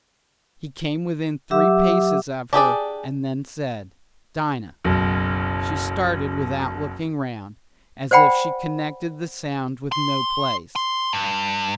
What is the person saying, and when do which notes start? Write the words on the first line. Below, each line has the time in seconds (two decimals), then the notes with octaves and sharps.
He came within three paces of her and then said, "Dinah!" She started without looking round, as if she connected the sound with no place.
1.51 F#3 G4 E5 F#5 D6 E6
2.53 D4 G4 G#4 D5
4.84 F#1 B1
8.11 C5 D5 F#5 G5 B5
9.92 C6
10.76 C6
11.13 G2